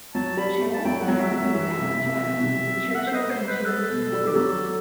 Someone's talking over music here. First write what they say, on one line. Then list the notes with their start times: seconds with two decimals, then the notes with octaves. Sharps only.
She has also been in advertisements for Churchill Insurance Company.
0.14 F#3 A5
0.37 G3 B5
0.61 A3
0.74 A5
0.85 F#3 G5
1.02 F#5
1.08 F#3
1.20 E5
1.31 F#3
1.38 E5
1.45 F#3
1.55 E3
1.79 C3
2.02 C3
2.25 C3
2.34 B2
2.43 C3
2.90 E5
2.95 F#5
3.07 C5
3.14 D#5
3.30 C5
3.49 B4
3.65 A4
3.89 B2
4.12 G3
4.27 G4
4.35 F#3 A4